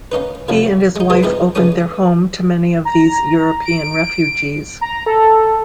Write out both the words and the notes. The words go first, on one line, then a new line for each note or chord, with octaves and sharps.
He and his wife opened their home to many of these European refugees.
A#3 C#4 D#4 B4
C3 D#3 F3 F#3 A#3
G#3 D#4
E3 F3 G#3 F4 G#4
D#3 E3 G#3 C4 D#4 E4
C#3 E3 G#3 A3 C#4 D#6
A#5
D7
A#5
A4